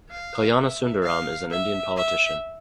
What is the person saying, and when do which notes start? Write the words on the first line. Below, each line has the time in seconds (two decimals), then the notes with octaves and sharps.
Kalyanasundaram is an Indian politician.
0.12 F5
0.58 E5
1.04 F5
1.51 E5
1.97 E5